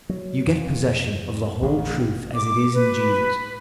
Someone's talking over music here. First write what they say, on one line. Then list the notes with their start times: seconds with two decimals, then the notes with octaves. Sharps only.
You get possession of the whole truth as it is in Jesus.
0.09 F#3
0.47 F2
1.62 A1
2.35 D6
2.72 B4